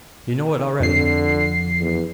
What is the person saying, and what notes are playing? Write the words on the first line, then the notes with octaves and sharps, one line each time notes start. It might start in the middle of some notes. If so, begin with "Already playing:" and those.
You know it already.
F2 D3 C7
E2